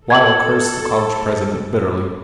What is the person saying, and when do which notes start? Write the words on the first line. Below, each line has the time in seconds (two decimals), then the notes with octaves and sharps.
Weill cursed the college president bitterly.
0.10 A4 G#6 F#7